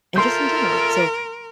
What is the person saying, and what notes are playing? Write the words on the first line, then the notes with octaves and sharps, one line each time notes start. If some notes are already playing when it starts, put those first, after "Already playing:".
and just in general, so
F4 A4 A#4 E5 C6 G6